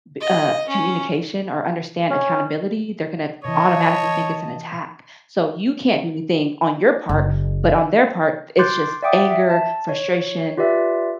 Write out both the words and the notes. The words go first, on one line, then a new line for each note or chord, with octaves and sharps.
b uh, communication or understand accountability, they're gonna automatically think it's an attack. So, you can't do anything on your part, but on their part it's just anger, frustration,
D#5
C#4
C#4
B2 E3 C#5 D#5 A5
F#1
C6 D6 F#6 G6 A6 C7
D5 E5 F#5 G5 D6 D#6
E5
A5
C#5
F4 G4 B4 D5 E5